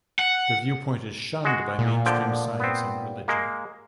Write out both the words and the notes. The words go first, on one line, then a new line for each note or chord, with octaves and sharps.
The viewpoint is shunned by mainstream science and religion.
F#5
G#3 F#4
A#2
D3 F3 G5
B3 C4
G#3 A#3